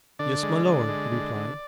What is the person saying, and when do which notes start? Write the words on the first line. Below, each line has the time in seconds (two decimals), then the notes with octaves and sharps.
"Yes, my lord," he replied.
0.19 D3 D5
0.43 G#3
0.66 D3
0.88 G#3
1.12 D3
1.35 D3